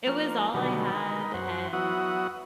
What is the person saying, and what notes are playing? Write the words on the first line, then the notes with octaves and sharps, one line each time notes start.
It was all I had, and
F3 A#3
B2 D3 D#3 F#3 G3 B3
D#4 A#4 B4
F#2 C5 F#5
F#3 B3 E4 F#4 F#5 D#6